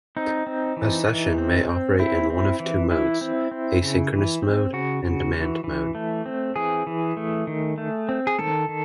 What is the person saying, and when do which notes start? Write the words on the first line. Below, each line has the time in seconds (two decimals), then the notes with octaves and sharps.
A session may operate in one of two modes: "asynchronous mode" and "demand mode".
0.17 C4 D#4
0.47 C4
0.77 E3
1.08 E3
1.38 C4
1.69 C4
1.99 C4 E4
2.30 C4
2.60 E3
2.91 E3 E4
3.21 C4
3.51 C4
3.82 C#3
4.12 E3
4.43 C4
4.73 C#3 F#4
5.04 C#3
5.34 E3
5.64 E3
5.95 A3
6.26 C4
6.56 E3 G#4
6.87 E3
7.17 A3
7.47 D#3
7.78 A3
8.09 C4
8.27 G#4
8.39 D#3 A4
8.69 D#3